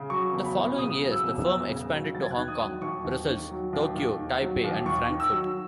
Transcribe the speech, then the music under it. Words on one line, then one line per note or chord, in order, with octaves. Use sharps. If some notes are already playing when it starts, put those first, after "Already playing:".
The following years the firm expanded to Hong Kong, Brussels, Tokyo, Taipei, and Frankfurt.
Already playing: C#3
F#3 C#6
E1
B5
E2
C#3 D#6
F#3
E6
E1
E2 E6
C#3
F#3
D#2 A6
G#6
F#6
D#3 G#6
D#6
F#3
D#2 C#6
D#2
D#3
F#3
D#2
D#2
D#3
F#3
D#2
D#2 C#6
D#3
E6
F#3